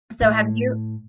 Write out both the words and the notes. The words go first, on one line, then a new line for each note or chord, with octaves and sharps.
So have you
A2